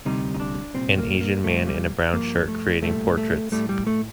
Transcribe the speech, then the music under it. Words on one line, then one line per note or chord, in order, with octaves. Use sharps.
An asian man in a brown shirt creating portraits.
D2 C3 G3 D#4
D#4
D4
C2 A#2 G3 C4
A#3
A#3
C2 A#2 G3 A3
G3
G2 F3 A#3
A3
C2 A#2 G3 A3
A3
A2 G3 A3
G3
A3